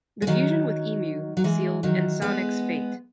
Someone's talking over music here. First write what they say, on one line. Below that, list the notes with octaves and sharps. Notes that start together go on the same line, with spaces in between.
The fusion with E-mu sealed Ensoniq's fate.
G#3
D#3 F#3
F#3
E3 G#3
D#3 F#3
G#3 B3